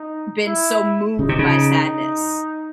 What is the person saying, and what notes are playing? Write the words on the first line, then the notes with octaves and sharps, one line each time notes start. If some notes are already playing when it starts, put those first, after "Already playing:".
been so moved by sadness.
Already playing: D#4
E4
C#3 D#4
C3
C#3